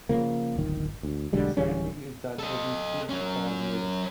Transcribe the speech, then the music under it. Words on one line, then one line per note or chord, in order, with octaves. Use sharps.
Sanding is done every three to five years.
C#3 F3 A#3
D1 G1 D#3
D2
B1 D3 G3 G#3
D1 E3 G3 C#4
A4 D#5
F#3 C#4